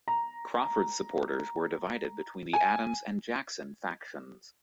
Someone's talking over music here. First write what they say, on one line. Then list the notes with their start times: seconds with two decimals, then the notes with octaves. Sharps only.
Crawford's supporters were divided between the Adams and Jackson factions.
0.08 A#5
2.53 G#5